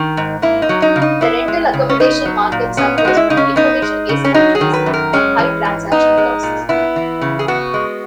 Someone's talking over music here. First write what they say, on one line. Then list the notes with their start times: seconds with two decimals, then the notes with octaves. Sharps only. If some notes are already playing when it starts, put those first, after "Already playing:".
The rental-accommodation market suffers from information asymmetries and high transaction costs.
Already playing: D#3
0.17 G#2
0.42 A#3 E4
0.62 D#4
0.69 F#3
0.82 D#4
0.96 C#3
1.02 D#4
1.21 B3 E4
1.48 G#3
1.73 C#3
1.89 C#4
2.00 B3 D#4
2.25 F#3
2.52 A#2
2.77 B3 C#4
2.98 D#4
3.05 G#3 F#4
3.17 E4
3.30 C#3 D#4
3.37 C#4
3.56 B3 D#4
3.82 G#3
4.09 C#3
4.25 C#4
4.34 F#3 D#4
4.55 G#4
4.61 D#3
4.74 B4
4.86 F#2
4.94 A#4
5.13 G#3 C#4
5.38 E3
5.65 G#2
5.91 B3 D#4
6.18 G#3
6.43 A#2
6.69 B3 E4
6.96 E3
7.21 C#3
7.39 G#4
7.48 B3 F#4
7.74 G#3